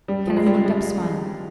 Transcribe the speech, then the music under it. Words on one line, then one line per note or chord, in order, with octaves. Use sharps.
Kenneth looked up smiling.
G3
F3
G#3
G3
G3